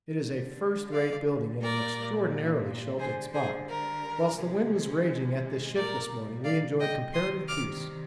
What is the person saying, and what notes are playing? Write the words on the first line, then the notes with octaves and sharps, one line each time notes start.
It is a first-rate building in an extraordinarily sheltered spot; whilst the wind was raging at the ship this morning we enjoyed comparative peace.
D3 G3
D5 F5
A#2 G3 A#4 D5
D3 G3 G#4 C5
G#4 C5
A#4
C3 D#3 G#3
A#2 G3 A#4 D5
D5 F5
D#5 G5
C3 D#3 G3 C6 D#6
D6 F6